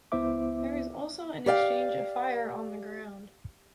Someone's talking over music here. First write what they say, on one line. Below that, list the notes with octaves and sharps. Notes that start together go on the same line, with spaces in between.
There is also an exchange of fire on the ground.
C#2 B3 E4 C5 E5 D6
G4 D5 F5 G5